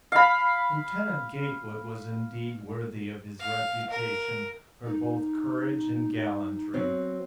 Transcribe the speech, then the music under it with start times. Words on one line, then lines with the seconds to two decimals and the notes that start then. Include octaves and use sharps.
Lieutenant Gatewood was indeed worthy of his reputation for both courage and gallantry.
0.12 F5 B5
3.39 F5
3.91 A#4
4.84 D#4
6.74 F#3 C4